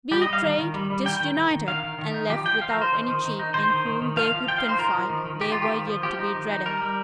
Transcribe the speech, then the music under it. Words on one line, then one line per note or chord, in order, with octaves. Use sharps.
Betrayed, disunited, and left without any chief in whom they could confide, they were yet to be dreaded.
G3 G4
D#5
G3
F5
D#3
D#3
G3
G3
D#3 G5
D#3
D#3
D#3
D#3 F5
D#3
D#3
D#4
F3 G4
F3 G5
F3 F5
A#4
F3 C5
D#3
D#3
D#3
D#4
D#3 C5
D#3
D#3
D#3
F3 F5
F3
F3 G5
F5
D#4
C5
F3 A#4
F3
D#3
D#3
D#3 G4
F4
D#3
G4
F3
F3
F3 G4
D#4
D#3
D#4
G3 A#4
G3